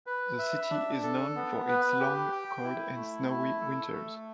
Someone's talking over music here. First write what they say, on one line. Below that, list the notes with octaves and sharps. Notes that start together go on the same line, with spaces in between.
The city is known for its long, cold and snowy winters.
B4
E5
D4
A4
B3
B4
G4
G5
E4
A3
E4
A4
A3